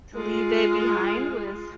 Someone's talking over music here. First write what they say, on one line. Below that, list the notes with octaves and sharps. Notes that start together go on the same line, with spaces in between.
to leave it behind was
G#3 F4